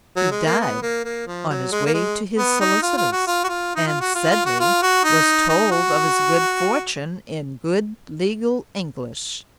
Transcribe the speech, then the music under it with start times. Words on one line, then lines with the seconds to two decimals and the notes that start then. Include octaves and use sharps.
He died on his way to his solicitors, and Sedley was told of his good fortune in good legal English.
0.16 F#3
0.31 G#3
0.45 A#3
0.60 B3
0.82 A#3
1.04 A#3
1.27 F3
1.49 F#3
1.72 G#3
1.86 A#3
1.94 G#3
2.38 B3
2.60 D#4
2.82 F4
2.97 F4
3.12 F#4
3.27 F4
3.44 F#4
3.49 F4
3.76 D#4
3.87 F4
4.01 F#4
4.15 F4
4.31 F4
4.46 F#4
4.60 F4
4.82 F#4
5.04 D#4
5.49 D#4
5.71 F#4